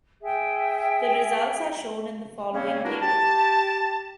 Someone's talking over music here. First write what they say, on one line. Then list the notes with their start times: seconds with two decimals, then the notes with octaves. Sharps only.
The results are shown in the following table.
0.21 G#4 E5 G5
2.54 C#3 G3 A#3 C4 C#4
2.85 B3 D4 E4 F#4 A#4
3.02 G4 A5